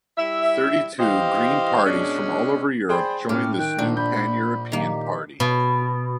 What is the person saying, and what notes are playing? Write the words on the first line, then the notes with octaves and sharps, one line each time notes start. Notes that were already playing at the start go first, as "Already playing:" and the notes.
Thirty-two Green parties from all over Europe joined this new pan-European party.
G3 E4 E5
E3 G4 C5 D#5 F5
B2 G#3 C#4 D4
G#4 C5 D5 G5 B5
A2 C#4 G4 D6 F6
D#3 G5 F#6 G6
A#1 D4
B5 G6
D#3 A#3 G4
B2